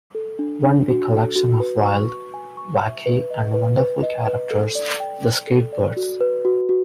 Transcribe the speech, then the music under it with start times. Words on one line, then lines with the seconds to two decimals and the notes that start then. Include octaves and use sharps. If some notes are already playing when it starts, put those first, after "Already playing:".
One big collection of wild, wacky and wonderful characters...The Skatebirds!
0.15 A4
0.39 D4
0.64 D4
0.88 F#4
1.13 A4
1.36 F#4
1.60 B4
1.85 C#6
2.09 C#6
2.34 G#5
2.57 C#6
2.82 E5
3.06 B4
3.30 D#5
3.54 B4
3.78 B4
4.03 D#5
4.27 B4
4.51 A4
4.75 D5
5.00 G5
5.23 G5
5.47 A4
5.73 D5
5.97 F#4
6.21 B4
6.45 F#4
6.69 F#4